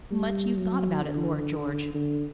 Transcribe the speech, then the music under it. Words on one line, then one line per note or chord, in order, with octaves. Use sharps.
"Much you thought about it, Lord George."
G3
F#3
D3
D3